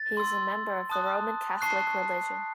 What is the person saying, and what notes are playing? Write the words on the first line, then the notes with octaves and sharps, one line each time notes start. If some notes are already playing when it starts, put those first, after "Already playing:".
He is a member of the Roman Catholic religion.
Already playing: A6
C6 E6
A5 D#6 F#6
A5 C#6 F#6 C7